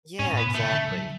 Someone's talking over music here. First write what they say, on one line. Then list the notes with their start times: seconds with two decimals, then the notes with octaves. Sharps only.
Yeah. Exactly.
0.19 G#2 C#4
0.33 A2
0.37 B3
0.46 B2
0.55 C#3 A3
0.73 D3
0.91 F#3